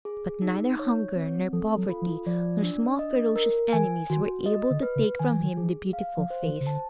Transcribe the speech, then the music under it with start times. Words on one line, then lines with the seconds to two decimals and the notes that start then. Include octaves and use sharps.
But neither hunger, nor poverty, nor small ferocious enemies were able to take from him the beautiful face.
0.05 G#4
0.42 D#4
0.79 C#5
1.16 C4
1.53 F3 A4
1.77 F#3
1.89 F4
2.02 F3
2.26 F3 D5
2.63 D4
2.99 D#5
3.36 A#4
3.73 E3 G#5
4.10 D#3 F#4
4.46 D#5
4.71 D3
4.83 B4
4.96 C#3
5.19 D#3 G#5
5.31 E3
5.43 D#3
5.57 F3 G#4
5.93 F5
6.18 F3
6.30 C5
6.42 E3
6.61 C#3
6.67 D3 A5